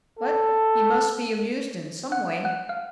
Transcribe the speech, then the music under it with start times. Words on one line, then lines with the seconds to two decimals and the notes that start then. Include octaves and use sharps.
But he must be amused in some way.
0.19 A4
2.12 F#5
2.45 F#5
2.69 F5